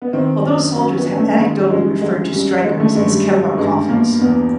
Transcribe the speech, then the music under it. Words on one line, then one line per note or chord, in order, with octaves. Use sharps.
Although soldiers have anecdotally referred to Strykers as Kevlar Coffins.
B3
D#3 C4
F#2 D4
F#3 C#4
B3
F#2
A3
D#3 G#3
G3
F#2 G#3
F#3 G#3
F#2 G3
D#3 G#3
A3
G2 G#3
G3
F#3 G3
G2 G#3
B2 A#3
E2 B3